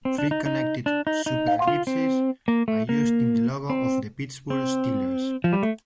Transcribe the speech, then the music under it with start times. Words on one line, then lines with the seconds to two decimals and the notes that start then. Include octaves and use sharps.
Three connected superellipses are used in the logo of the Pittsburgh Steelers.
0.05 C4
0.18 D4
0.31 D#4
0.46 D#4
0.86 D4
1.07 D#4
1.26 D#4
1.68 F4
1.87 C4
2.48 A#3
2.68 A3
2.89 A#3
3.70 C4
4.50 C4
5.44 F3
5.53 G3
5.63 A3